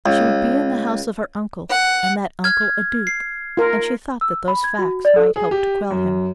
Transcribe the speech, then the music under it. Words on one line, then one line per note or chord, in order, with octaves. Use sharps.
She would be in the house of her uncle and that uncle a duke, and she thought that those facts might help to quell him.
C#2
F#5
F6 G#6
C7
F4 A#4
E6
B5
G#6
F#4
D5
A4
G#4
G4
F#2